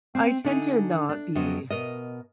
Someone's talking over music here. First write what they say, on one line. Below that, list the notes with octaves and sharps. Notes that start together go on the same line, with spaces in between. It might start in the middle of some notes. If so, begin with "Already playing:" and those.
I tend to not be
C4
D3 D#4 G#5
D4
F2 F#3 B3 D#5
B2 A#4 D#5